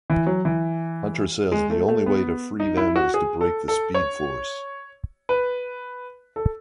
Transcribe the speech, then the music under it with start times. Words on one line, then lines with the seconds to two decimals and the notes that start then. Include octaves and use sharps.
Hunter says the only way to free them is to break the Speed Force.
0.10 E3
0.26 F#3
0.45 E3
1.52 G#3
1.70 A3
1.88 A3
2.06 B3
2.60 D#4
2.77 E4
2.96 F#4
3.14 G#4
3.41 A4
3.68 A4
3.94 C#5
5.29 B4
6.36 A4